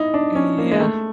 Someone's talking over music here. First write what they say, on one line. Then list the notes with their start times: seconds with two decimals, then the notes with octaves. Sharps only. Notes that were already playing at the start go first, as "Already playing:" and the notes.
Uh, yeah.
Already playing: D#4 E4
0.14 D4
0.35 C#4
0.58 A#3
0.71 G#3
0.80 A3